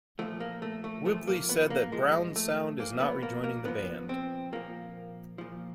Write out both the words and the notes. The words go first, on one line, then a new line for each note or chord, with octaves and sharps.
Whibley said that Brownsound is not rejoining the band.
A#2 F3 A3
A#3
A3
A3
A#2 F3 A3
A#3
B3
A#3
A#2 F3 G#3
A3
A#2 F3 A#3
B3
A#3
A#3
A#2 F3 B3
C4
A#2 F3 A#3
A#2 F3